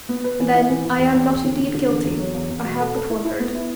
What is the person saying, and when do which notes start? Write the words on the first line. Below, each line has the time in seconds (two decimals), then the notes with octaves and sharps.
And then, I am not indeed guilty: I have but wandered.
0.09 B3
0.24 B4
0.40 E3
0.54 E4
0.70 E3
0.85 E3
0.99 E2
1.14 E2
1.30 E2
1.45 D3
1.59 D3
1.74 D3
1.90 E2
2.04 E2
2.19 F#3
2.35 E2
2.50 E2
2.65 B2
2.80 A4
2.95 A4
3.10 E4
3.25 E4
3.40 B3
3.55 E4